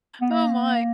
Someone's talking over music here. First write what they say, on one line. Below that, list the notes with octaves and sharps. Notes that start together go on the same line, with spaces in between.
Oh my.
B3
A#3